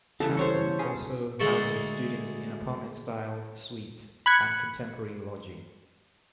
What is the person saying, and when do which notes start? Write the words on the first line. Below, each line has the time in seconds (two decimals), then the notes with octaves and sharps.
Champlain also houses students in apartment-style suites and contemporary lodging.
0.20 C#3 E3 G3 A4
0.37 C5 C#5 C#6
0.79 C#4 G#4
1.40 D2 G#3 A4 C#6
4.26 B5 F#6 G#6 C#7